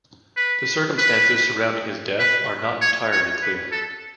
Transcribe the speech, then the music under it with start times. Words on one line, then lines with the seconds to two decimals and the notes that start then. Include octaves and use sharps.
The circumstances surrounding his death are not entirely clear.
0.37 B4
0.98 B4
2.20 B4
2.81 C#5
3.12 C#5
3.42 B4
3.72 A4